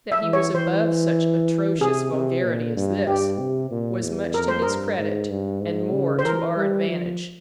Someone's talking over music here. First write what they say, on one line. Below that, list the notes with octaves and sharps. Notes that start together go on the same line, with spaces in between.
That he was above such atrocious vulgarity as this, was much to his credit and more to our advantage.
E5
E3
C#5
E3 C5
C3 G#4
C3
A#2
G2
G2 G4
C3
A#2
E2
F2 A#4
C5
G2 A#4
G#2
G2
G#2
C#3
C5
E3 A#4
G3
F3